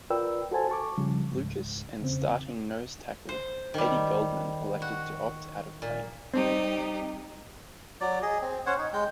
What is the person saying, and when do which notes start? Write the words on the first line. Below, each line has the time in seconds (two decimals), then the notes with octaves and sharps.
Lucas and starting nose tackle Eddie Goldman elected to opt out of playing.
0.10 F4 A#4 B4 D5 G5 E6
0.51 F#4 A4 C5 G#5 A5
0.70 A5 C#6 D6
0.98 C#3 F3 G3
1.33 C#2 G#2
2.00 E2 C#3 C4
3.29 C5
3.74 D#3 G3
4.82 F#4
5.82 A#2
6.34 G3 C4 D#4 G4
8.01 F#3 D5
8.22 G#4 D#5
8.41 C4
8.66 C#4 C5 C#5 F#5
8.78 D#4
8.93 G#3 G5